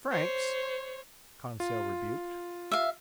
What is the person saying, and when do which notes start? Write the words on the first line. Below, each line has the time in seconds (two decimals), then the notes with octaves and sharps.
"Francs!" Conseil rebuked.
0.11 C5 C#5
1.60 F4
2.71 E5 F5